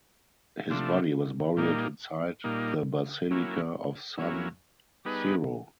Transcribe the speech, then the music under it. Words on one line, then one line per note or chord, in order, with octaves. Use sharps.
His body was buried inside the Basilica of San Siro.
C3 F3 A3 D4
A#2 G3 A#3 D#4
A#2 G3 A#3 D#4
F#3 A#3 C#4 E4
F#3 A#3 C#4 E4
G3 B3 D#4 G#4 B4